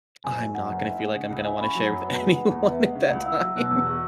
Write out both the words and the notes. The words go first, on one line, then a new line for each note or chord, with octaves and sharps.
I'm not gonna feel like I'm gonna wanna share with anyone at that time.
F#1 G#5
F#3
F#2 F#5
F#1
E4
G#3
C#3
C#2
E4 G#5
C#4 B5
G#5
F#3
F#2 F#5
B3 F#5
G#3
E3 F#5
E2
B3 E5
G#3 E5 F#5
C#3
C#2 F#5
E4 E6
F#3
B2 F#6
E2 E6
F#4